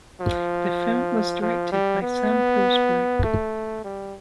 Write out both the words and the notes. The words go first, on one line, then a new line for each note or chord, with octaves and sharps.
The film was directed by Sam Pillsbury.
F3
F3
G3
B3
A3
G3